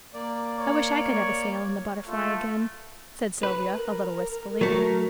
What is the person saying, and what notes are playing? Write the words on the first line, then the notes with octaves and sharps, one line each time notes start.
"I wish I could have a sail in the Butterfly again," said Sylvia, a little wistfully.
A#3 D5
C#5
A3 F4
B4
A#4
F#3 A3 A#4